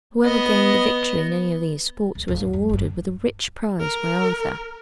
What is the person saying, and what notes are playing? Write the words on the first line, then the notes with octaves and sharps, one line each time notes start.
Whoever gained the victory in any of these sports was awarded with a rich prize by Arthur.
B3 D#5
C#2
D1
G#2
F#2 G3
G1 G2
A#4